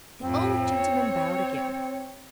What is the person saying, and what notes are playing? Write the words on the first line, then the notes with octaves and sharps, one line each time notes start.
The old gentleman bowed again.
F2 A2 C4
C#5